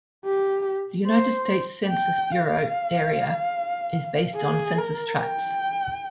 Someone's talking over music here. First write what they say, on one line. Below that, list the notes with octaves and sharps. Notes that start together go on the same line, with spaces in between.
The United States Census Bureau area is based on census tracts.
G4
C5
G5
F5
G#4
A#4
G5